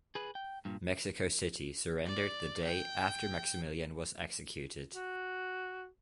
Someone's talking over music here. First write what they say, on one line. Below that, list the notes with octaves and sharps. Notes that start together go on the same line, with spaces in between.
Mexico City surrendered the day after Maximilian was executed.
G#4 B4
G5
G2 A#2
D5
G5
F#4